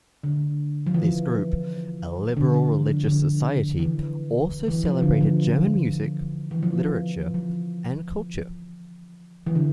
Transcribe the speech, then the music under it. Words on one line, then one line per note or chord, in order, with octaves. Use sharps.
This group, a liberal religious society, also celebrated German music, literature and culture.
D3
F3
E3
D3
D3
E3
F3
D3
E3
E3
F3
D3
F3
E3
F3
F3
E3
D3